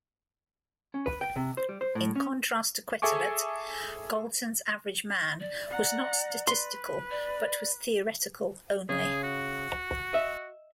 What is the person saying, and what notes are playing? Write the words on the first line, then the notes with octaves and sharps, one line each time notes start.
In contrast to Quetelet, Galton's average man was not statistical but was theoretical only.
C#4
B4
G5
C3
C5
G3
C5
A2
C#4
G#4 A4 E5 G#5 C#6 D6
D5
F#5 A#5
B4 C6
D5
C#3 G#4
F#4
D#5 E5